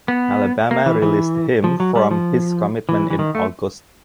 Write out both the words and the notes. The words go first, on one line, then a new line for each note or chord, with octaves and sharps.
Alabama released him from his commitment in August.
B3
A#3
E3
E3
F3
F#3
G3
F3
E3
E3
D#3
A3